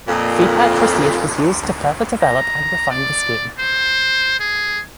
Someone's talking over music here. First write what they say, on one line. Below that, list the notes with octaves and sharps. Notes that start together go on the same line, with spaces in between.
Feedback received was used to further develop and refine the scheme.
F2 A#2
A#5
D5
C5
G#4